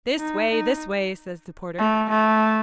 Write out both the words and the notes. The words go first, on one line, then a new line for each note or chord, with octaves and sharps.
'This way, this way,' says the porter.
D#4
D#4
A3
A3